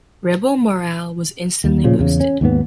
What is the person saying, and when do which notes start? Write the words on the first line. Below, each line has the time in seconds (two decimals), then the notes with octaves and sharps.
Rebel morale was instantly boosted.
1.64 D#2
1.84 A#2 C#3 F3
1.99 E2 C#3
2.20 C#4
2.41 D#2 G#2 B3